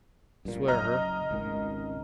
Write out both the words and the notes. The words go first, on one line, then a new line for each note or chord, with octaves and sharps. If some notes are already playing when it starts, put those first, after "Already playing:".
"Swear her."
G2 A#2
F#1 D#5 A#5 F6
G#1 C#2 D#3